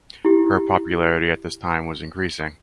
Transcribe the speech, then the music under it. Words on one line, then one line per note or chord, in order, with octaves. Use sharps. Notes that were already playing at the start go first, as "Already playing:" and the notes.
Her popularity at this time was increasing.
E4 G4